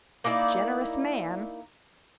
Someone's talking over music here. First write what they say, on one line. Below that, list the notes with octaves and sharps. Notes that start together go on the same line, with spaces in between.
"Generous man!"
A#3 D#4 E4 D5